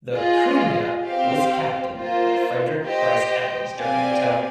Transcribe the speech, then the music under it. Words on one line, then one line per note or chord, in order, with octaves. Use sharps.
The "Koonya" was captained by Fredrick Pryce Evans during the tow.
F4 G#4 D#5
C4 G4 C5 F5
A#3 F4 C5
G4 C5 D#5 G5
C4 G4 D5 F5 G#5